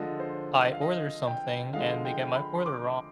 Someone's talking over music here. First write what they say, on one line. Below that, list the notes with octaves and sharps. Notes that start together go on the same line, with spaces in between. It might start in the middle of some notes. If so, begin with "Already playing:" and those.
I order something and they get my order,
Already playing: D3 F3 G#3 D#5
C5
F5
D#5
G5
D3 F3 G#3 F5
G5
B5
C6
D6